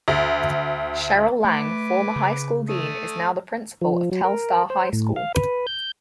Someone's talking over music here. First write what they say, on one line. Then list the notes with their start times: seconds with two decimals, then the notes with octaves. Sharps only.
Cheryl Lang former High School Dean is now the Principal of Telstar High School.
0.08 D2
1.45 A3 B4 D6
2.16 C#3
2.69 A3 D#6
3.81 F3
4.12 F#3
4.24 A#4
4.70 C5
4.93 A2
5.16 F5
5.35 B4
5.67 G6